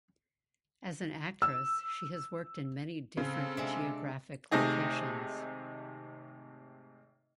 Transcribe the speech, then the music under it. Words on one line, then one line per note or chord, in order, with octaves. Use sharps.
As an actress she has worked in many different geographic locations.
E6
C#3 C4 A4
C3 G#3 D4
G#1 C3 A3 D#4 G#4